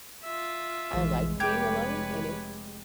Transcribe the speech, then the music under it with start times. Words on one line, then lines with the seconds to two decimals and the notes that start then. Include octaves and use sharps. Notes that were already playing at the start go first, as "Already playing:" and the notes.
I, like, being alone, and if
0.24 F4 E5
0.94 F1 A#1 E3 G#3
1.40 G4 B4 C#5 G#6